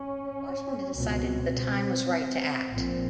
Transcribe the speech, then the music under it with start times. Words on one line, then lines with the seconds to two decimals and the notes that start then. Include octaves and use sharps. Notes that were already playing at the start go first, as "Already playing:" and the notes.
Washington decided the time was right to act.
Already playing: C#4
0.95 C#2 B2 C4
2.71 A#1 A#2 C4